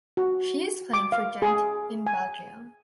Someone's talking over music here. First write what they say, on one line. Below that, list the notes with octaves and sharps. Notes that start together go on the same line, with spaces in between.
She is playing for Gent in Belgium.
F#4
D6
F5
G#4
G#5